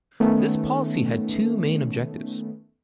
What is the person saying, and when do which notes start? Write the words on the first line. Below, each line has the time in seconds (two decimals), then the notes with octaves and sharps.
This policy had two main objectives.
0.20 D#3 A3 B3 C#4